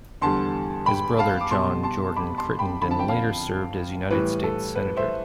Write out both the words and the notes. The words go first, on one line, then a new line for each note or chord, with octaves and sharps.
His brother John Jordan Crittenden later served as United States Senator.
E2 D3 G3 A5 C6
G5 B5
F5 A5
D6
B2 G3 A5 C6
A5 C6
B5 D6
A5 C6
G5 B5
F2 D3 F3 B5
A5
G5
F5 A5
A2 E3 G3 B4
A4
B4
C5 E5